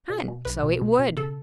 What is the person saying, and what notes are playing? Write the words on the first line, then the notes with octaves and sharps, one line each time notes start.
And so it would.
B2
B2
B1 B4
B2
B2
B2
C#3 A4